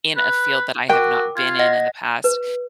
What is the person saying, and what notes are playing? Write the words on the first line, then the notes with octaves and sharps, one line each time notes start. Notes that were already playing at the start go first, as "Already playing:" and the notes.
in a field that I have not been in in the past
B4
F#4 A#4 G5 D6
F4 G#6
D#5 F#5 A#6
B4